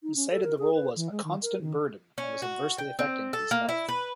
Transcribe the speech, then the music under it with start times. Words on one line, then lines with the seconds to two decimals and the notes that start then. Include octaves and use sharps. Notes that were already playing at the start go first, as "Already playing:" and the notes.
He cited the role was "a constant burden" and was adversely affecting his health.
0.03 D#4
0.16 C#4
0.31 A4
0.43 A#4
0.58 G#4
0.74 B4
0.96 E3
1.11 G#3
1.24 D#3
1.42 A#4
1.61 D#3
2.18 C#4
2.42 F#4
2.78 G5
2.99 C4
3.33 A4
3.51 A#3
3.69 E4
3.89 B4